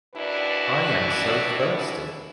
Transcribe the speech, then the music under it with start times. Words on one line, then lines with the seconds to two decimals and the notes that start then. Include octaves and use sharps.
I am so thirsty.
0.15 D#2 D4 E4 F#4 B4 D5